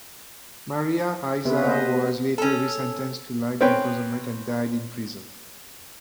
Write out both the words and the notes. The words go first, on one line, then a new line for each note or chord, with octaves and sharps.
Maria Isa was later resentenced to life imprisonment and died in prison.
C3 B3 B4
A#3 A#4 C5 D#5 F#5
C#4 A4
C4 C#4 B4 G5